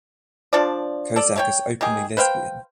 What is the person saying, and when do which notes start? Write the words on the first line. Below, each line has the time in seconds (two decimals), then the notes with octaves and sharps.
Kozak is openly lesbian.
0.53 F3 D4 F4 D5
1.16 A4 D5
1.36 A3 C#5 G5
1.81 D#3 G4 G#4
2.17 B4 C5 F5 G5